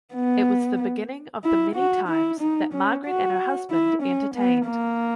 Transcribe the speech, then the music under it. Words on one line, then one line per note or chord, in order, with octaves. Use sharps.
It was the beginning of the many times that Margaret and her husband entertained.
B3
E4
F#4
E4
D#4
C#4
F#4
E4
C#4
B3
A#3